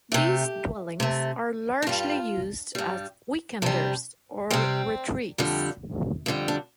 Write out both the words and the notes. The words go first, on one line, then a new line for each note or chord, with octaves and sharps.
These dwellings are largely used as "weekenders" or retreats.
C3 A3 G4
C3 A3
D4
G2 G3 F4
G2 G3
C3 G3 D4
C3 G3 C4
F2 D3 G3
F2 D3 G3
D4